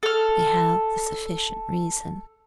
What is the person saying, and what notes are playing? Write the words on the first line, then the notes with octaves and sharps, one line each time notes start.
We have the sufficient reason.
A4 F6